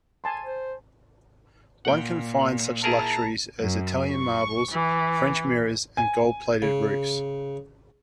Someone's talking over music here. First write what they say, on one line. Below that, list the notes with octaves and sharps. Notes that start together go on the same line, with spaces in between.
One can find such luxuries as Italian marbles, French mirrors, and gold-plated roofs.
G#5 A5 C6
C5
A#2 F#5 G5
E4 G#4 A#4 A5 A#5
F#2
C#6
E3
G#5
C#3